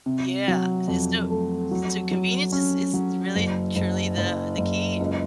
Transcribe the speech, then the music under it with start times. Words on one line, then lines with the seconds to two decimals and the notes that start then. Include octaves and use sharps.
Yeah. It's sti So, convenience is is really truly the the key
0.06 C3
0.48 F#3
0.88 F2
1.30 A3
1.71 F#3
2.11 F#3
2.52 C#4
2.94 F#3
3.36 F#1
3.76 F#1
4.18 F#1
4.58 F#1
5.00 C#2